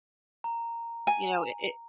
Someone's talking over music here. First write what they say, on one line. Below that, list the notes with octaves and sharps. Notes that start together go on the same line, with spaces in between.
you know? I it
A#5
G#5